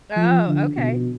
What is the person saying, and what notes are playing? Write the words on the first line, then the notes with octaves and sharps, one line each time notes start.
Oh, okay.
F3
D3
B2